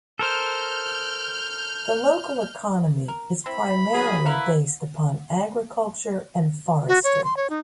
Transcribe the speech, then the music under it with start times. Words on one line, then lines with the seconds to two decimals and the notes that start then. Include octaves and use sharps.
The local economy is primarily based upon agriculture and forestry.
0.19 A4 A#4 C5 F6 G6
3.08 A#4
3.46 C4 E4 B5
3.92 D#3 F#3 G#4
4.25 E4 F#4 A#4 B4 F5
6.88 F#4
7.04 C#5
7.24 C6
7.37 C#5
7.50 D#4